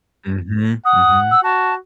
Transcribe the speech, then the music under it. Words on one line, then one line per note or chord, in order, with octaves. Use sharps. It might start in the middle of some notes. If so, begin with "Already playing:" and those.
Mhm, mhm.
F#5 D#6
E6
F#4 A5